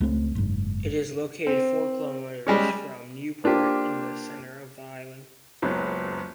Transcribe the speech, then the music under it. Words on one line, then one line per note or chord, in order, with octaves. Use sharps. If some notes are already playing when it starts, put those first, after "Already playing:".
It is located four kilometres from Newport in the centre of the island.
C#2 A3 C4
F#1 G#2
C4
G3 G#3 C#4
A#3 D4 F4 G4 C5
F#1 C#2 F#2 F#3 B3